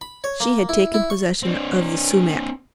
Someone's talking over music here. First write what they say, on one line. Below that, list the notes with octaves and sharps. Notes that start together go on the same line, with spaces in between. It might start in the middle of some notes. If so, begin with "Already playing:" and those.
She had taken possession of the sumac.
B5
C#5
A#3
E4
E4
C#6
C4 D4